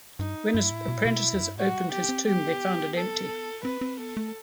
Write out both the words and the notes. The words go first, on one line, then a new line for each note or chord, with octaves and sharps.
When his apprentices opened his tomb, they found it empty.
G2 D#4
G2 E4
A2
B2
A2
B2
E2
F#2
G2
A2 F#4
G3
B3 G4
C4
B3 G4
A4
C4 B4
C4
B3 A4
A3